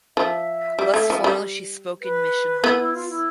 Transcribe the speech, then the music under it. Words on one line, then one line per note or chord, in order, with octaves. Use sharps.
Less formally she spoke in mission halls.
F3 E5
G3
A3
F3
G3
B4
B3 E4
E4
F4
E4